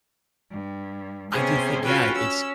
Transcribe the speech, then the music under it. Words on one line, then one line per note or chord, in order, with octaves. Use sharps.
I do think yeah, it's
G2
C3 B3 C#4 G#4 C5 G#5
C#4 F4 F#4 B4 G5 G#5
C#4 E6